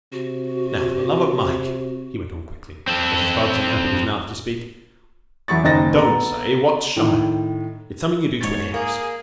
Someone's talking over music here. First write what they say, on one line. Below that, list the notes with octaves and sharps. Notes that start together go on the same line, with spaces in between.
Now, for the love of Mike," he went on quickly, as his godson opened his mouth to speak, "don't say 'What's shirred?' It's something you do to eggs.
C3 F#4
C4 A4
E2 F#3 E4 C#6 A6
F#1 D#2 D#4 C5 A6 A#6
B3 A4 A#5
A2 D#3
G#2 C#5 A6
A#3 G#4